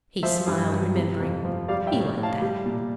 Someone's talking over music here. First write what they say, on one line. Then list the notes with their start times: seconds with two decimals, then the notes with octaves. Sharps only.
He smiled, remembering--he liked that.
0.23 F3 C5 E5
0.47 G2
0.72 G2
0.96 C3
1.20 F2
1.45 F3
1.68 G3 D5 F5
1.87 E5 G5
1.93 A2
2.18 A2
2.23 F5 A5
2.42 G3
2.66 A#2